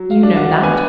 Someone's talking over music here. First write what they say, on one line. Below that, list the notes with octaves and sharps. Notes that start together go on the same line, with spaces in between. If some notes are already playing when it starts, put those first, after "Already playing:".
You know that.'
Already playing: F#3
F5
D4
F5
F#5
B3 G#5